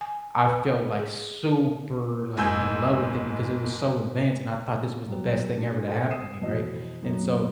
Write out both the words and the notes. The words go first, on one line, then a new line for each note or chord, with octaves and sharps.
I felt, like, super, like, in love with it because it was so advanced and I thought this was the best thing ever to happen to me, right, and so,
G#5
B4
G#4
F#1 G#2 G#5 E6 G6
F#3 G3 B3
D4 F#4
G4 A4 C5 D#5 F#5 G5
D#6 C7 D#7 E7
F2 B2 E3 D#5
F#2 A#2 F#3 A3 D#4